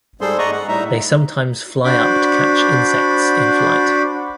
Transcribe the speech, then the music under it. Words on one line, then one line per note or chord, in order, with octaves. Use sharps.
They sometimes fly up to catch insects in flight.
G#2 G3 G#4 A4 C5 C6
D5 D#5 F#5 A#5 C#6 D#6
F#5
A2 G3 D#4 E5 A#5
D4 F#4 C5 B5 D6